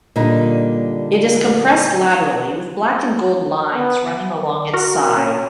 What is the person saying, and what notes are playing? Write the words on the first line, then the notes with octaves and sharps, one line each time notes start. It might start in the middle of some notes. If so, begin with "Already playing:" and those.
It is compressed laterally, with black and gold lines running along its side.
A#2 D3 G3 A#3 D#4
B3
F#4 A#4
C#4